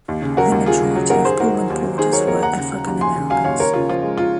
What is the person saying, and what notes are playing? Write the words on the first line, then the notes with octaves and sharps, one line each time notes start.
The majority of Pullman Porters were African Americans.
D#2
C#3
F#3 F#4 A#4
D#2
D#2 F4 G#4
C#3
F#3
D#2 F#4 A#4
D#2 G#4 C5
D#3 F#4 A#4
F#3
D#2
D#2
D#3 G#4 C5
F#3 A#4 C#5
D#2 A#4 C#5
D#2 F#5 A#5
C#3
F#3
D#2
D#2 G#5 C6
C#3
F#3 F5 G#5
D#2 C#5 F5
D#2 A#4 C#5
C#3 F4
F3 F4
G#3
F4